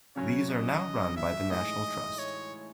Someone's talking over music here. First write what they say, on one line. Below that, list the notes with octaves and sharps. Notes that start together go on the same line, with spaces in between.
These are now run by the National Trust.
C#3 F#3 C#4 C#5
D#5
E5
A2 E3 G#3 D#4 D#5
C#5